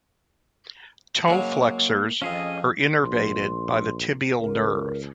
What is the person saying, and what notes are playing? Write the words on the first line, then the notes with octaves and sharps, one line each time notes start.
Toe flexors are innervated by the tibial nerve.
C#3 F#3 G#3 A#3
F2 F3 C#4 G#4 D#5
A#1 C6
C#2 A#4